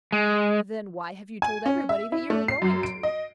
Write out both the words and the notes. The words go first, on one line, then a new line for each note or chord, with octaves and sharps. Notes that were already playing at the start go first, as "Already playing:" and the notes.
"Then why have you told everybody that you are going to?"
G#3
G#5
C#4
E5
E4
A3
C7
F#2
D7
D#5